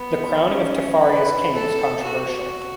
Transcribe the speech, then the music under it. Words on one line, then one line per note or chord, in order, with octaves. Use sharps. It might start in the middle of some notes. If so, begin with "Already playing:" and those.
The crowning of Tafari as King was controversial.
Already playing: B3
C#4
B4
A4
F#4